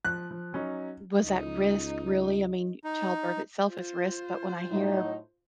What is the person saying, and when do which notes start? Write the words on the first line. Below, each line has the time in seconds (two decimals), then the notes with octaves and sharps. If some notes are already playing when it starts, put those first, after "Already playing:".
was at risk, really. I mean, childbirth itself is risk, but when I hear
0.05 F3 F#6
0.31 F3
0.53 F#3 C#4 D#4
1.23 C#2 D#4
2.84 D#4
3.69 F4 C5
4.71 A2 F#3 D#4